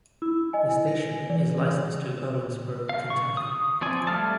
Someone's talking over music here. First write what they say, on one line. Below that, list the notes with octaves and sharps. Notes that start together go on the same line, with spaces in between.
The station is licensed to Owensboro, Kentucky.
E4 E6
D#5 G#5
A#6
E3 D5
F5
C#6
D#6
F3 C4 D5 G#5
G3 A3 F5 A5